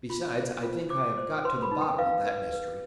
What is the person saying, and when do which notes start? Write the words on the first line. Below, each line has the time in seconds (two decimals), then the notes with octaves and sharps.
"Besides, I think I have got to the bottom of that mystery."
0.10 F4
0.37 C5
0.63 F4
0.90 C5 D6
1.17 C5
1.44 B4 C6
1.62 B5
1.71 D#4
1.81 G5
1.98 B4 F5
2.26 B4
2.52 B4